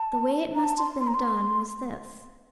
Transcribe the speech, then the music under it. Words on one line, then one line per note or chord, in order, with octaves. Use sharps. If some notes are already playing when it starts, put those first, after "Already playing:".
The way it must have been done was this.
Already playing: A5
A#5
A5
C6
C6
A#5
C6